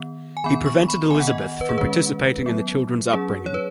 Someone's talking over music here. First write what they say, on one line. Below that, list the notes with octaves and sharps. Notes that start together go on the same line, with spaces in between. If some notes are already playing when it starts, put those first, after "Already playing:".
He prevented Elizabeth from participating in the children's upbringing.
Already playing: D#3 B3
G#5
D#3 B3 B5
C#6
B5
D#3 B3 G#5
F#5
D#5
B4
G#4
D#3 G#3 C#4 B4
F#3 B3
F#3 C#4 G#4
C#5
B4